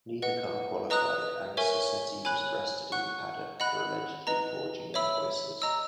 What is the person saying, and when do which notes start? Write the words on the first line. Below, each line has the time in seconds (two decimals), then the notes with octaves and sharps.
Neither car qualified and Sassetti was arrested in the paddock for allegedly forging invoices.
0.22 B4 D#5 F#5
0.90 B4 D#5 A#5 D#6 F#6
1.57 A#4 C#5 E5 G#5 C#6
2.25 C#5 G#5 B5 F#6
2.92 F#5 C#6 F#6
3.60 D#5 F#5 B5 F#6
4.27 B4 D#5 A#5
4.94 C#5 E5 B5 E6
5.62 D#5 A#5 E6